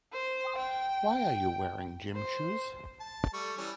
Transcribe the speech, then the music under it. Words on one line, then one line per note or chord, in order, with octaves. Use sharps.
Why are you wearing gym shoes?
C5
G5
C5
A5
G3 A3 C#6
E3 G3 C#4